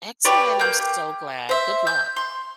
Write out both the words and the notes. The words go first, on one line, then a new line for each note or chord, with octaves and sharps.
Excellent, I'm so glad. Good luck.
G4 B4 C#5 D5
A#3 G6
G4
C5 E5
G6
C6